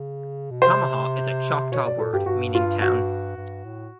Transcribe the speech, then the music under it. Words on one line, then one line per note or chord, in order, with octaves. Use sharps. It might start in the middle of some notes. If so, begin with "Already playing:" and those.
Tamaha is a Choctaw word meaning town.
Already playing: C#3
B2
C3 C5
B2 C#5
B2 D5
A#2 A4
G2 G4
G2 F#4
F4
F#4
G2
A2